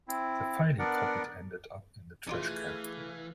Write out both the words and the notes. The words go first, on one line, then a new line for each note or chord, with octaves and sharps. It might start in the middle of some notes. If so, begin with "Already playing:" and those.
The file he copied ended up in the trash can.
C4 E4
B3 D4 A#4 D5 F#5
E3 A3 C#4 D4 F4 G#4 F5 G#5